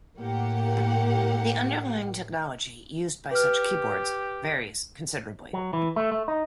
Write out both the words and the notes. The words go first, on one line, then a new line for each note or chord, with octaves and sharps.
The underlying technology used by such keyboards varies considerably.
A2 A#3 G4 F#5
G4 B4 F6
F#3
E3
A3
A3
D#4